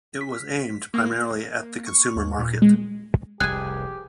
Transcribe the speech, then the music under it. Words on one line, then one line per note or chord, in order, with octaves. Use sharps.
It was aimed primarily at the consumer market.
B6
A#3
C#6
D#2
A#2
G#3
F1 C2 G4 G#4 G#5 F#6